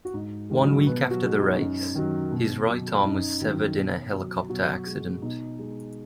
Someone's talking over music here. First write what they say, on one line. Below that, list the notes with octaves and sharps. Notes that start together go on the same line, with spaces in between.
One week after the race, his right arm was severed in a helicopter accident.
F#4
G#2 D#4
D#3 G#3
F#3 F#4
B2 B3 B4
F#3 F#4
G#3
D#4
F#2
D#3 F#3
B2
F#3
F#2 D#4
D#3 F#3
B2
F#3
B2 F#3 F#4
G#3
B2 D#4
G#3